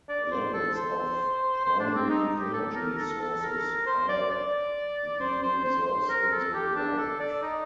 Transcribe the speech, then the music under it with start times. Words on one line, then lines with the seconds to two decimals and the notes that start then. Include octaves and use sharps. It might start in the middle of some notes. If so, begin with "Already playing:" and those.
Levels of primary energy sources are the reserves in the ground.
0.09 D5
0.31 C5
0.53 A4
0.75 C5
1.65 C5
1.80 D4
1.95 C4
2.10 D#4
2.38 G4
2.53 A4
2.75 A#4
2.98 A4
3.21 A4
3.43 A#4
3.86 C5
4.09 D5
4.31 D5
5.20 C5
5.42 C5
5.65 C5
5.86 C5
6.09 A#4
6.32 A4
6.54 G4
6.76 D4
6.98 A4
7.20 D5
7.42 D#4